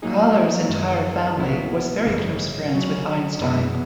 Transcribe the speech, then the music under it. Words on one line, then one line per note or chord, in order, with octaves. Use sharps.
Kahler's entire family was very close friends with Einstein.
A#2 F#3 A#3 D#4 G#4
F#2 D#3 G#3
B1 A#2 F#3 B3 E4
G#1 F#2 C#3 E3 G#3
C#3 F#3 C#4
F#2 E3 G#3 B3 E4